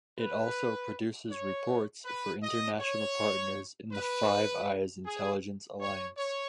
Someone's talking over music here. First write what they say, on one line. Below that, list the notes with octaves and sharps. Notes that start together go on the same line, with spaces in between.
It also produces reports for international partners in the Five Eyes intelligence alliance.
B4
C#5
B4
D#5
C#5
B4
G#4
C#5
C#5